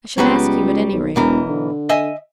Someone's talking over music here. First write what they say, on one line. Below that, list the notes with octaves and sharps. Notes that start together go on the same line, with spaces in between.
I should ask you at any rate.
C#2 F#3 G3 B3
B1
E1 B1 E3 A#4
D3
D#5 E5 G#5